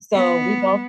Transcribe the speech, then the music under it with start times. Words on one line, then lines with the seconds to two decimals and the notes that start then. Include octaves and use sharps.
so we both
0.15 B3